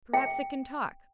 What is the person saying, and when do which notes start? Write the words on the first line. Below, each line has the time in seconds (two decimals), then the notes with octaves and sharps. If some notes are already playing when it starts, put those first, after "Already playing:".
"Perhaps it can talk."
0.14 G5